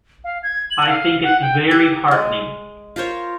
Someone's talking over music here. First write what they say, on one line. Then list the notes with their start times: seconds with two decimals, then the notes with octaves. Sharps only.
I think it's very heartening.
0.24 F5
0.43 G#6
0.71 F#7
0.86 F5
1.24 F#5
1.42 G5
1.71 G4
2.11 G#3
2.96 F4 A#4 C5 C#5